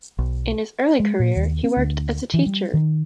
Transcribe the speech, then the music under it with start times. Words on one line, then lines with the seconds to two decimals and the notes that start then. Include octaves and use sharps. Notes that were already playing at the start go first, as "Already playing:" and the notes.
In his early career, he worked as a teacher.
0.19 B1
1.00 G#3
1.19 A#2
1.36 D#2
1.64 C4
1.77 D2
2.34 E3
2.46 G3
2.74 D#3